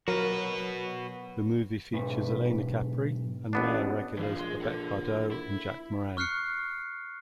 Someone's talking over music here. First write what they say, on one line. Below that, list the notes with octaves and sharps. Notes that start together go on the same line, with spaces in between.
The movie features Alaina Capri and Meyer regulars Babette Bardot and Jack Moran.
F#3 F#4 A#4 B4
B1 G#2 B4
A1 B3 D4
A#1 E3 F5
G#4 C6
A4 F#5
E4
C#6 F6 F#6 C7 C#7